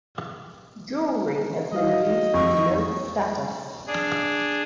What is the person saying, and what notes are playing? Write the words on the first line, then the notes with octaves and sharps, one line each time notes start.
Jewellery has been used to denote status.
G3 F#4 D#5 F5
F2 C#6
D4 G#4